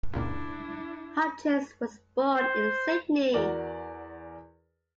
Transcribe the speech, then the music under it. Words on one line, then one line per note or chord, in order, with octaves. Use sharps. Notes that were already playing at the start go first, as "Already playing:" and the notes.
Hutchins was born in Sydney.
C#2 A#2 D4 E4
C5
E2 F#4 A#4 D5 F#7